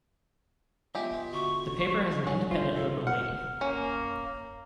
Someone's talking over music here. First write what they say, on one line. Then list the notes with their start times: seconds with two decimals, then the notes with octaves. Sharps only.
The paper has an independent liberal leaning.
0.95 G#3 B3 F4 G4 E5
1.33 D3 F#4 C#6
2.27 D3 G3 C#4 F#5
2.51 F4 C5 E5
2.74 A4
3.07 F#5 F6
3.61 A#3 C#4